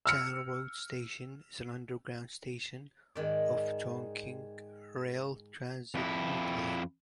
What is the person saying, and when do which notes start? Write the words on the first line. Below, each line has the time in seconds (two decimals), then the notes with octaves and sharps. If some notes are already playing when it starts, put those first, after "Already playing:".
Channel road station is an underground station of Chongqing rail transit loop line.
0.06 E6 F6 C#7
3.15 G#2 D#3 D5
5.95 F2 E4